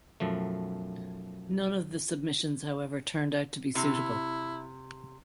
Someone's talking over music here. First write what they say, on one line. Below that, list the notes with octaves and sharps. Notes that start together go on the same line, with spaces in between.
None of the submissions, however, turned out to be suitable.
B1 F#2 F3 A3
C3 E4